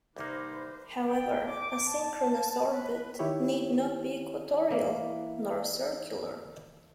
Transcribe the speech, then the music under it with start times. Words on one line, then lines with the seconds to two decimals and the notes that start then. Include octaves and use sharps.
However, a synchronous orbit need not be equatorial; nor circular.
0.16 C2 A#3 D#4 B4 C5 B5 D6
1.08 G5
1.49 D6
1.89 A5
2.74 B4
3.19 D#3 E4 G4 C#5
4.70 E3 A#3